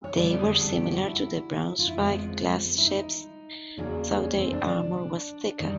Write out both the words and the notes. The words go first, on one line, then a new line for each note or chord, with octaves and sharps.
They were similar to the "Braunschweig"-class ships, though their armor was thicker.
C#5
F2 D3 G3 B3 D5
G#4
A4
G4
F#4
E4
F4
E4
F2 D3 F3 G#3 B3 D#4
E4
D#4
E2 C#3 F#3 A#3 D4
C#4
C4
D4
D4
D#3 G3